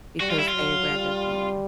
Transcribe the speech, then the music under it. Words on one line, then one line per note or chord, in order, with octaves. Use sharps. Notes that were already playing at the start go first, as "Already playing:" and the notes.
because they rather be,
G3 F#4
F4
E4
F4
F#3
G3